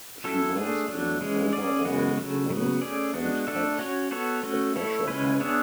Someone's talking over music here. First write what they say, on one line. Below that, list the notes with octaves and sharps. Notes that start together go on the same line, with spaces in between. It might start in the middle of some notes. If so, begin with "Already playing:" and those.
She was in overall length and had a pressure hull.
F#3 C#4 E4 A4 E5
A3 D4 G#4
F#3 A3 D4
E3 G#3 C#4
C#4 G#4 D5
C#3 E3 G#3 B3 F#4
C#3 F#3 A3
C#3 F#3 B3
A3 C#4 G#4 D5
G#3 B3 D4 F#4
A3 D4 A4 E5
C#4 F#4 C#5
B3 F#4 A4 C#5
A3 C#4 F#4
A3 E4 A4 C#5
C#3 G#3 C#4 E4 B4
B3 D4 G#4 C#5 E5